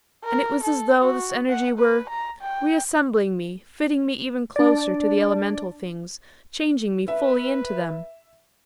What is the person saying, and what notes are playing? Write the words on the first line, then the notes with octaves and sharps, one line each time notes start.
And it was as though this energy were--reassembling me, fitting me even closer to the elemental things, changing me fully into them.
A#4
A4
F#4
F#5
B4
A#5
G5
D4 D5
B4 E5